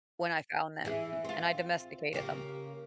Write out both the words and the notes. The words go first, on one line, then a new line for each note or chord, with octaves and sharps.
when I found them and I domesticated them.
E3 E4 G#4
C4 F4
C#3 A#3 G4